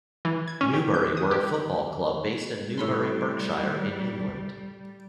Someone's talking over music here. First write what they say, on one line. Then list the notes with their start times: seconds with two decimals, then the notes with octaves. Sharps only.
Newbury were a football club based in Newbury, Berkshire, in England.
0.25 E3
0.48 G#6
0.61 C#4
0.73 G4
0.94 G6
1.17 D#6
1.31 G4
2.78 A2 G3 B5 C6